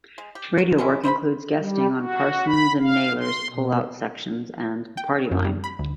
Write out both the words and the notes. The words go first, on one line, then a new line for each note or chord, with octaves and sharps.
Radio work includes guesting on "Parsons and Naylor's Pull-Out Sections" and "The Party Line".
G#3
G4
F#3
F#3 G#3 C#4 E4
B4 C5 D#5 B5
G3
F#4
B5
F5
C6
B2
G5
F#2
G3
B5
D2